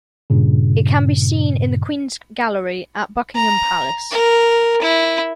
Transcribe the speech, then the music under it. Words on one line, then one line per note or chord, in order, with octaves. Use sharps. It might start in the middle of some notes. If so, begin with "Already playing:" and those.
It can be seen in the Queen's Gallery at Buckingham Palace.
G2 A#2 C#3
A#5
A#4
E4